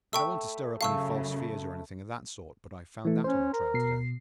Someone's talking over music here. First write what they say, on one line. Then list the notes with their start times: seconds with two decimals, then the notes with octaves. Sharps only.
"I don't want to stir up any false fears, or anything of that sort--but I found that on the trail to-day!"
0.13 A3 G5 B5 C#6 E6
0.81 F#2 C#3 A3 F5 C#6 E6
3.05 E3 A3
3.24 C#4 C5
3.53 A#4
3.74 B2 C7